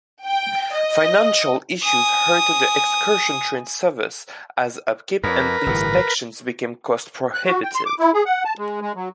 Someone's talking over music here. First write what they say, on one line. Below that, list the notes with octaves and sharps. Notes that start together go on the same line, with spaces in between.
Financial issues hurt the excursion train service, as upkeep and inspections became cost prohibitive.
G5
D#5
G#5 D#6
F2 A#4 B4
G1 A2 E3
F#6
F#4
G5
C6
D6
E4
G#4
F#5
A5
G#3
G#3
F#3